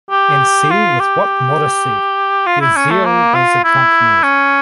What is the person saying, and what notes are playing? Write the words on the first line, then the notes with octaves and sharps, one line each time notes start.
And see with what modesty their zeal was accompanied.
G4
F4
G4
F4
E4
C#4
A3
A#3
F4
E4
C#4